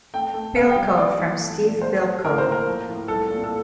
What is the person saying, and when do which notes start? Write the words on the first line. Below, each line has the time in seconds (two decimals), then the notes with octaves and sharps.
Bilko from Steve Bilko.
0.14 A3 G5
0.34 A3
0.56 C3 F5
0.69 G5
0.76 G3
0.83 F5
0.97 A#3 D5
1.19 E3
1.40 A3
1.62 A#2
1.82 A3 C5
2.04 A3
2.24 A2 A#4
2.38 C5
2.46 A#3
2.52 A#4
2.67 F3
2.88 A2
3.08 C2 A4
3.30 A#2
3.44 A4